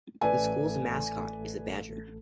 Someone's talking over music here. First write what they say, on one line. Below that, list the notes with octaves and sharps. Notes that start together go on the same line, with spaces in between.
The school's mascot is a badger.
A1 A3 A4 B4 D5 G#5